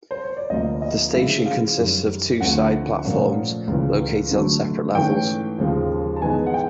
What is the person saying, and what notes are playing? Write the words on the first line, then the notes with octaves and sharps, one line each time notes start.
The station consists of two side platforms located on separate levels.
C5
C#5
D5
D2 C3 F3 A#3 D#5
D#5
C#3 F3 G#3 C#4 E4 E5
F5
F#2 D#3 G3
D2 D3 F3 A3 C4 F#5
A#2 F3 A3 C#4
C#2 C#3 E3
D3 F#3 A3
G#2 E3 A3 C#4 G5
D#2 C#3 F3 G#3
A5
G#2 E3 G#3 B3 D#4 G#5
F#5
G5